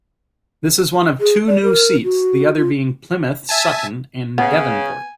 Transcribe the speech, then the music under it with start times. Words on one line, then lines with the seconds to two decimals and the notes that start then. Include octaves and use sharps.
This is one of two new seats, the other being Plymouth Sutton and Devonport.
1.20 G#4
1.47 D5
1.63 A#4
2.04 F#4
2.57 F4
3.49 E5 G#5 A5
4.38 C#3 B3 G#5